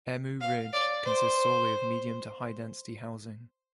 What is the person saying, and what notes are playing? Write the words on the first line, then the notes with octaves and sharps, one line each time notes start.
Emu Ridge consists solely of medium to high-density housing.
F5
D5
C5